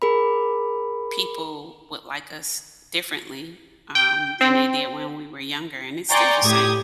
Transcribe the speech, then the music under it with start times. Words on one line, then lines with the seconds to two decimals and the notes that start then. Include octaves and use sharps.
people would like us differently, um, than they did when we were younger, and it's still the same.
0.02 G#4 A#4 B5
3.95 G5
4.41 C4
6.10 D5 G5 G#5 A#5 C6 C#6
6.44 A2 G4 D#6 G#6